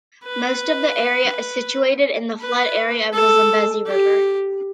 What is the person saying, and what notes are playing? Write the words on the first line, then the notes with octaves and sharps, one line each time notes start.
Most of the area is situated in the flood area of the Zambezi River.
B4
B4
A4
G4